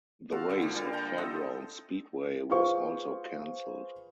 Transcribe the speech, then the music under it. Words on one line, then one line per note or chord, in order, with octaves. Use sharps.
The race at Fairgrounds Speedway was also cancelled.
F4 F#4 A4 F5
D3 G3
F3 A#3
F3 G3 A#4
G5 A5 A#5 C6
C4 A4 D#5 E5
F4 G#4 B4 C5 F5 C#6